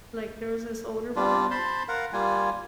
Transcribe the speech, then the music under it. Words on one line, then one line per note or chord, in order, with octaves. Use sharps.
like, there was this older woman,
G3 D4 F4
C5 A5 B5 C6
A#4 F5 F#5
G3 A#3 F4 G#5